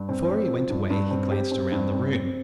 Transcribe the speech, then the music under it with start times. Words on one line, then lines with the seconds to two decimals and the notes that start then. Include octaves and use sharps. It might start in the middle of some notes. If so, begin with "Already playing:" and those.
Before he went away, he glanced around the room.
Already playing: G2
0.09 C4
0.29 C4
0.50 F3
0.70 G2
0.90 G2
1.11 C4
1.31 G4
1.51 C4
1.72 G2
1.92 C4
2.13 C4